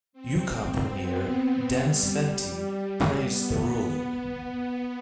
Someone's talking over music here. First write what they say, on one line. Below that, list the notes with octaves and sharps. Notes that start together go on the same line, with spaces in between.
Yukon premier Dennis Fentie praised the ruling.
C4
B3
G3
B3
B3